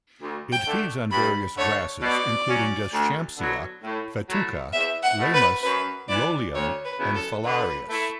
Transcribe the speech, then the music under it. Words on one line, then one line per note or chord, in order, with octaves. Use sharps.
It feeds on various grasses including "Deschampsia", "Festuca", "Leymus", "Lolium" and "Phalaris".
D2
G5
D3 A3
G2 B5
D3 A3 C#5
B2 D5
F#3 C#4
D2
D3 F#3 B3 E4
A2
F#3 A3 E4
E2 E5
F#5
B2 A3 E4
B4
F#2 B4
E3 B3 E4 D5
D2 C#5
B4
C#3 F#3 B3 E4
A4
D3 B4
A3 E4